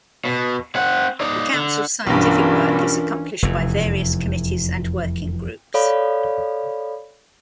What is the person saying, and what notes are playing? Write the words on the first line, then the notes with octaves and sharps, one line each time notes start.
The Council's scientific work is accomplished by various committees and working groups.
B2
C4 F#5
D#4 D5
D3
B1 G2 E3 C#4 D4 F4 A#4
F1 E2
A4 C#5 D5 F5 B5